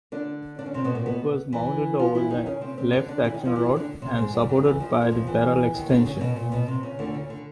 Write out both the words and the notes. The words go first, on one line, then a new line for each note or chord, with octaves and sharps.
It was mounted over the left action rod and supported by the barrel extension.
D3 D4
D4
C#4
C3 C4
B2 B3
A#2 A#3
B2 B3
E3 E4
F3 F4
E3 E4
D#3 D#4
C#3 C#4
C3 C4
C3 C4
D3 D4
D3 D4
E3 E4
D#3 D#4
F3 F4
E3 E4
D#3 D#4
D3 D4
C3 C4
G#2 G#3
G2 G3
F#2 F#3
E2 E3
F2 F3
F2 F3
F2 F3
E2 E3
D#2 D#3
D2 D3
C#3
B2
A#2
B2
C3
C#3
D2 D3
C#3
D3